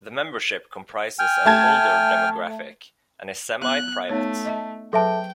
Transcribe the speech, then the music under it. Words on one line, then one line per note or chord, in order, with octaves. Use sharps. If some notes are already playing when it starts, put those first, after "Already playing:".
The membership comprises an older demographic and is semi-private.
G5 G#5 F6
A3 A5 G#6
B3 F#6
A3 B3 D#4 C#5
D#5 E5 A5
F#3 G#4 A4 B4 E5 G5 A5